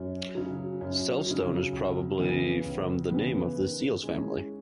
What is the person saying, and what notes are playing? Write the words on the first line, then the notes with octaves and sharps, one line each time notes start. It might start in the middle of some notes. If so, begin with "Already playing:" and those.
Zelstone is probably from the name of the Zeals family.
Already playing: F#2
C#3 F#3
F#2
C#3 F#3
C#2
C#3 E3 B3
C#2
C#3 E3 B3
D#3
G#3 C#4 E4